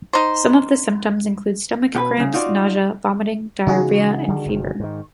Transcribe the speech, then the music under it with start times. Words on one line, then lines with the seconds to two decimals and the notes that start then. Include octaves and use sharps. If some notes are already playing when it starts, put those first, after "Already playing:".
Some of the symptoms include stomach cramps, nausea, vomiting, diarrhea, and fever.
0.13 D#4 C5
1.95 B2 G4 B4
2.17 C2 C#3
2.34 D#4 F4 F#4 D5
3.67 C#3 E3 G#3 D#4 F#4 G#4
4.28 D3 D#3 G3
4.46 G1 C3 D#3
4.80 G#2 D#3